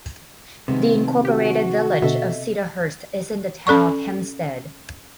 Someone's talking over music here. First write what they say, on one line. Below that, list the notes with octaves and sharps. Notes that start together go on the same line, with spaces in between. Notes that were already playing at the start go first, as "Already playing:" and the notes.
The Incorporated Village of Cedarhurst is in the town of Hempstead.
C3 D#3 G#3 B3
F#4 G4 G5
B2 D3 A4 D#5 E5
C#4 A4 D5 C#6